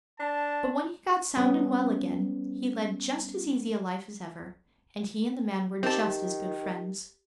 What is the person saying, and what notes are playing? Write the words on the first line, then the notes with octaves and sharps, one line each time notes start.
But when he got sound and well again, he led just as easy a life as ever, and he and the man were just as good friends.
D4 A5
G3 B3 C#4
D#3 C4 G4 A5